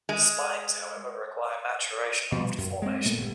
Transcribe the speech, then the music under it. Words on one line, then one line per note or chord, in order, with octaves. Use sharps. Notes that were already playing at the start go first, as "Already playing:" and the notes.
Spines, however, require maturation after formation.
G#3
B2 F3 G3
F#2
G#3 C4
A#2 A3 B3
G1